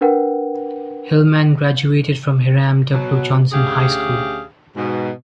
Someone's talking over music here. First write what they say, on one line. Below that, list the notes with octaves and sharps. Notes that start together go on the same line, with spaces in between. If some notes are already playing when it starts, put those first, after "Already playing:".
Hillman graduated from Hiram W. Johnson High School.
D4 A#4 B4 F#5 G5
B2 F#3
D2 C#4 G4 G#4 F5
G#2 B2